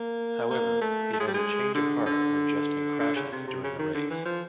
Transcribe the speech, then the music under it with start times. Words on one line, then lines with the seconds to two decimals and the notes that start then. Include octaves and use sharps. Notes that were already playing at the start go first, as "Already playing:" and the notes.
However, he has a change of heart when Justin crashes during a race.
Already playing: A#3
0.51 A#3
0.81 A3
1.13 A3
1.20 G#3
1.27 G3
1.34 G#3
1.75 D3
2.06 D3
3.00 D3
3.16 C#3
3.32 C3
3.47 C3
3.64 C#3
3.79 D#3
3.95 D3
4.10 E3
4.25 F3